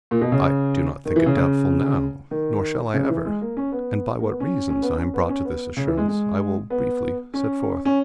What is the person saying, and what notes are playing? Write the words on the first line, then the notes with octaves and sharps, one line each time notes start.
'I do not think it doubtful now, nor shall I ever; and by what reasons I am brought to this assurance I will briefly set forth.
A#2
B2
C#3
D#3
E3
C#3
C#3
D#3
C#3
E3
G#3
A#3
C#4
B3
A#3
B3
C#4
C#4
B3
C#4
B3
C#4
B3
C#3
E3
G#3
G#3
B3
C#4
C#4